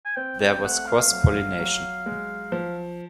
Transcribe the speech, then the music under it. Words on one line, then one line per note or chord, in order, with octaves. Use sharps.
There was cross pollination.
G#5
C4 G5
G5
A3 F#5
F5
F#3
F#3
G#3
F3